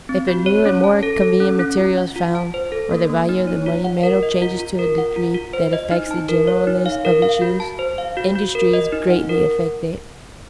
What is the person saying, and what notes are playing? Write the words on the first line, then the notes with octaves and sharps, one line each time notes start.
If a new and more convenient material is found, or the value of the money metal changes to a degree that affects the generalness of its use, industry is greatly affected.
C4
F#4
C#5
C#4
A5
A4
A4
C#4
C#4
F4
F#5
F4
A5
C5
A4
A#3
A#3
D#4
C#5
F4
F#5
A#4
D#5
F4
F4
A#4
F#5
F4
F4
C5
D#5
D#4
A5
A#4
C#5
D#4
F5
A#4
F5
F#4
A5
C5
F5
F#4
F#4
A#4
D#5
D#4
F#5
A#4